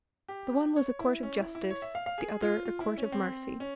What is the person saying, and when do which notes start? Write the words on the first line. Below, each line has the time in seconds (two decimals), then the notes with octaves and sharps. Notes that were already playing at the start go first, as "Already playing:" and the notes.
The one was a court of justice, the other a court of mercy.
0.28 G4
0.76 C#5
0.99 E4
1.23 C#4
1.39 E4
1.55 E4
1.70 C#5
1.82 E5
1.95 F5
2.06 F5
2.18 G#4
2.42 F4
2.65 F4
2.81 E4
2.98 C#4
3.12 C4
3.60 C#4